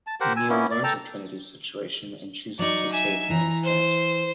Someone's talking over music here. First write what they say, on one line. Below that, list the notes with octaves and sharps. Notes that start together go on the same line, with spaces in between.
Neo learns of Trinity's situation and chooses to save her instead.
A5
G4 A#4 C5 F#5
G#5 E6
A#3 B3 C#4 E4
D5
A4 G5 A5 A#5
F#3 D#4 D5 C#6
E5 G#5
E3 A#5
C5